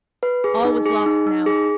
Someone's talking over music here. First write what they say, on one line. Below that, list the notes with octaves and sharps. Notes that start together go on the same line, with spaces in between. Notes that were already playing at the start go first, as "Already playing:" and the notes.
All was lost now.
B4
G#4
D#4
G#4
D#4
D#4
G#4